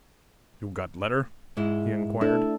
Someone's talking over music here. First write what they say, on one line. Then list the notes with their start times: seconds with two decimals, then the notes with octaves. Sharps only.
"You got letter?" he inquired.
1.57 G#2 G#3 E4
2.21 A3 D4 E4 A4